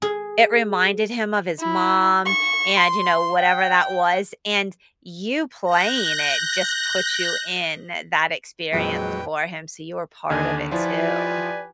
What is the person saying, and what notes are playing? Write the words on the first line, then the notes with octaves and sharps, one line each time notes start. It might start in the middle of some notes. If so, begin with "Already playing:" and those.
it reminded him of his mom, and, you know, whatever that was, and you playing it just puts you in that experience for him, so you were part of it too.
G#4
E4
C#6
C6
G5
F#6 G6 A#6
F2 A#2 E3 F#3 G#3 B4 G5
D#2 D3 D4 D#5 G#5
F3 E4 F4 G4 B4 D5 G#5